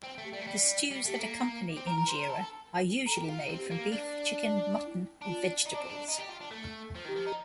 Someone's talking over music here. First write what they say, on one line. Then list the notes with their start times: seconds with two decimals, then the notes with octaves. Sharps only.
The stews that accompany injera are usually made from beef, chicken, mutton or vegetables.
0.03 C4
0.18 A3
0.33 G3
0.41 A3
0.47 G3
0.91 G3
1.05 A3
1.19 A#3
1.77 C4
1.88 A#4
1.98 A#4
2.09 C5
2.20 A#4
2.30 A4
2.41 A4
3.06 A#4
3.17 G4
3.28 F4
3.39 D#4
3.49 C4
3.71 A#3
3.92 D4
5.22 D4
5.66 D#4
5.74 D4
5.81 C4
5.89 D4
6.09 D#4
6.19 G4
6.30 F4
6.41 D4
6.51 A3
6.95 F3
7.05 D#3
7.16 F3
7.27 D#4